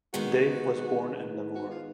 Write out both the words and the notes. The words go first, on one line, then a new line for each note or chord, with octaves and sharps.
Dave was born in Namur.
D#3 G#3 B3 F#4
F#4
F4